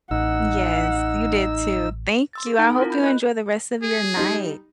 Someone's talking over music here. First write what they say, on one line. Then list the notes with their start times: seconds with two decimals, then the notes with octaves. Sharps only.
Yes, you did too. Thank you, I hope you enjoy the rest of your night.
0.11 A1 D#4 F#5 E6
2.33 C6 E6 A6
2.46 A4
2.58 D#4 F#5 A5 A#5 D7
2.79 C4 E4 F4 A#4
2.90 B5 G6
3.03 D#5 B5 F#6
3.82 G#4
4.17 G3 D#4